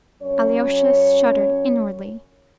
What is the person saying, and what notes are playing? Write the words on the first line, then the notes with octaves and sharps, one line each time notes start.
Alyosha shuddered inwardly.
F#2 C#4 C#5